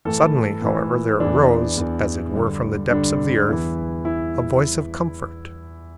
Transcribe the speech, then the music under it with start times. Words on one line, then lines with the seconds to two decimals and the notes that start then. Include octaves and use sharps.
Suddenly, however, there arose, as it were from the depths of the earth, a voice of comfort.
0.05 A2 E3 A4
0.62 A2 E3
1.20 E2 E3 D4
1.77 E2 E3
2.34 G2 D3
2.91 G2 D3 D4
3.48 E2 E3 E4
4.05 E3 E4